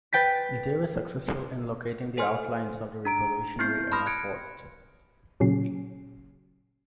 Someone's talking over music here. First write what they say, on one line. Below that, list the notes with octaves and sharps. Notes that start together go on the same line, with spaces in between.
They were successful in locating the outlines of the revolutionary era fort.
B4 G5 A6 B6
A4 C5 G#5 C6 F6
D4 A#5 D7
B3 C4 E4 F6 G6 C7
A5 B5 C6 D#6 F6 A#6
F#6 G#6 C#7 D7
A#2 C#3 F#3 C#4 C7